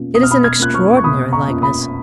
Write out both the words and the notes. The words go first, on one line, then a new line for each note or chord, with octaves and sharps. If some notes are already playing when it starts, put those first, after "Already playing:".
It is an extraordinary likeness.
Already playing: B2 A#3 C#4 F4
B2 D#6
F6
B5 D#6
F6 G#6
A#3 C#4 F4 F#6
C#6 F6
C#6
B2 B5 D#6
A#5 C#6
A#3 C#4 F4
B5 D#6